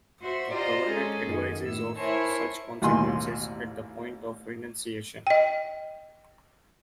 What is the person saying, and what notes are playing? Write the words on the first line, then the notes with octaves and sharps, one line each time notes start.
The government advises of such consequences at the point of renunciation.
F#4 C5 E5
F4 G4 C5 D5 D#5 A#5
G#3 C#4 G#4 A4
F#2 D#3
A2 E6
E4 A#4 C5 C#5 G#5 A5
A1 D#2 B2 G3 G#5 C6
D#5 G5